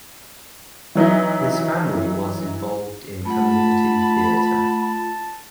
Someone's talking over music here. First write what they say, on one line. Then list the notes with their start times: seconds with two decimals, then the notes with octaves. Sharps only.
His family was involved in community theatre.
0.95 E3 F#3 D#4 E4
3.25 A3 F4 F#5 A5 B5